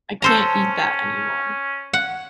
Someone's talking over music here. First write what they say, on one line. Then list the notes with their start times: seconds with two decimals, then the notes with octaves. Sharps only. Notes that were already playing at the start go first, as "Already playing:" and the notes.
I can’t eat that anymore.
0.22 C#4 A4 C5 A#5
1.93 F#5